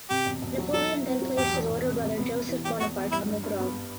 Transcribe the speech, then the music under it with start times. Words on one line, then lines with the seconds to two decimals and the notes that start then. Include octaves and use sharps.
Napoleon then placed his older brother Joseph Bonaparte on the throne.
0.10 C3 G4
0.26 E1
0.42 E1
0.58 F#3
0.74 F#3 A4
0.90 E4
1.06 C4
1.21 F#3
1.37 E1 G4
1.53 E2
1.69 E1
1.84 C3
2.01 C3
2.17 B3
2.32 B3
2.49 E3
2.65 E2 G4
2.80 E2 F#4
2.96 E2
3.12 G3 E4
3.29 G2
3.43 G2
3.60 B3